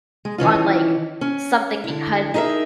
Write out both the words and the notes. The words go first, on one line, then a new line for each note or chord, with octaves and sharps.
on, like, something because it's
G#3
D#3 E3 C#4 F4
C#4
D3 E4
D#4 E4 G#4 A#4 E5